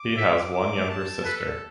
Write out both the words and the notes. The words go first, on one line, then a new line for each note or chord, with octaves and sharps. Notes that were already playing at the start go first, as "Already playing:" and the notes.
He has one younger sister.
Already playing: D6
E5
D6
A5
A4 B4